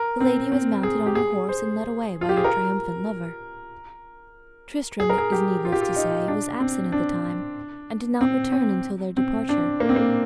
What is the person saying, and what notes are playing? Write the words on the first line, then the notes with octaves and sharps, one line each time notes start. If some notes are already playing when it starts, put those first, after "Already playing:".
The lady was mounted on her horse, and led away by her triumphant lover. Tristram, it is needless to say, was absent at the time, and did not return until their departure.
Already playing: A#4
C4
C4
G#4
G4
G#4
C5
F4
G4
G#4
A#4
G#4
A#4
G#4
G4
F4
G4
F4
D#4
D4
C4
D4
C4
C4
C4
D4
A#3
C4
A#3